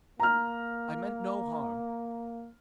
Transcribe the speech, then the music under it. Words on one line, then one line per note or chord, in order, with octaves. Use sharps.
I meant no harm.
A#3 A#5 F6